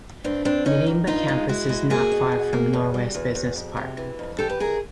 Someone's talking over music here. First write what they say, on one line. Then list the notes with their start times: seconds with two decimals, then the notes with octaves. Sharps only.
Nirimba campus is not far from Norwest Business Park.
0.24 G2 C4 D4
0.45 G2 C4 D4
0.65 G2 C#4 D#4
0.86 D#3
1.07 G2 D#4 F4
1.28 G#3
1.48 G#3 E4 F#4
1.69 G#3
1.90 A#3 F#4 G#4
2.12 B2
2.32 B2
2.53 A#3
2.73 E2
2.94 G3
3.15 E2
3.35 E2
3.56 F2
3.77 C3
3.97 E3
4.19 F2
4.39 E3 G4 A4
4.50 B4
4.59 F2 G#4 A#4